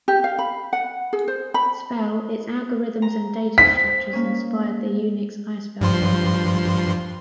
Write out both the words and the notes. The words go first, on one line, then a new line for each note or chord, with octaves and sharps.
Spell, its algorithms and data structures inspired the Unix ispell program.
G4
F5
B5
F#5
G#4
C5
B5
A#5
C4 B6
A#3 C#4
G2 F3 C6